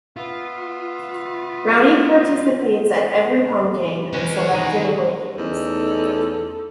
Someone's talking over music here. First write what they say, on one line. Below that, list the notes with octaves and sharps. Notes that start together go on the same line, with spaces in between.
Rowdy participates at every home game and selected away games.
B3 F4 E5
E3 G#3 C4 C#4 B4
D#3 G#4 B4 A#5
E2 A3 C#4 D#4 A4